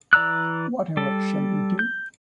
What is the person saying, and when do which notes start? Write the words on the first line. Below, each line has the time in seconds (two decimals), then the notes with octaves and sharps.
Whatever shall we do?
0.13 E3 D5 A#5 E6 F#6
0.97 G3 A4
1.79 G6